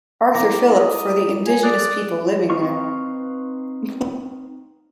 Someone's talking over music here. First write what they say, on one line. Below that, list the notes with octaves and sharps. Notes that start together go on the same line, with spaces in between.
Arthur Phillip for the indigenous people living there.
E4 A4 A#5 D6 A#6
D#5
F4 A#4 C#5 G#5
A4 D5 D#6 F#6
C4 D#4 B4 F5 C#6